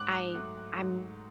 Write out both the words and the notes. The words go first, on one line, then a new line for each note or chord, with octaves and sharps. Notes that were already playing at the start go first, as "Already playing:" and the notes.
I I'm
Already playing: G#2 D6 F#6
F#3 A3
G#2